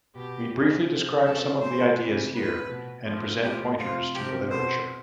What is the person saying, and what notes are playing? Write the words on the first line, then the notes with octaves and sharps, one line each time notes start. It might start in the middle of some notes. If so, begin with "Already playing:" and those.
We briefly describe some of the ideas here, and present pointers to the literature.
B2 G4
C3 E3
C3 F3
C3 F3 A4
A2 E3 C5
C3 E3
A2 F3 B4
B2
A2 F3
A2 F3 G4
C3 F3 F4
C3 F3 G4
B2 C5